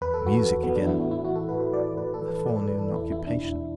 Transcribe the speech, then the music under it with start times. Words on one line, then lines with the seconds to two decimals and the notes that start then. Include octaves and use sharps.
Music again, the forenoon occupation.
0.01 E2 B4
0.14 A4
0.26 E3 F#4
0.39 A4
0.50 E2
0.63 B3
0.75 E3 D4
0.87 E4
1.00 A2 F#4
1.11 E4
1.24 E3 F#4
1.36 A4
1.48 A2 B4
1.61 B4
1.73 E3 D5
1.97 A2 B4
2.14 A4
2.22 E3
2.29 B4
2.46 A2 D5
2.57 A4
2.62 B4
2.71 E3
2.79 A4
2.95 E2 E4
3.12 E4
3.20 B2
3.27 D4
3.44 E2 E4